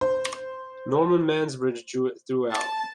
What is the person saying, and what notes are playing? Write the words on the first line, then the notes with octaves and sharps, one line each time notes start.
Norman Mansbridge drew it throughout.
C5
A5